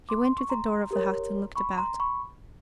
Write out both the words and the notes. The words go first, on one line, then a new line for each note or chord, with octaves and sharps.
She went to the door of the hut and looked about.
C6 D6
C6
C#6
A#5 C6
G4 A#4 C#5
B5 C#6
A#5 C6
B5 C#6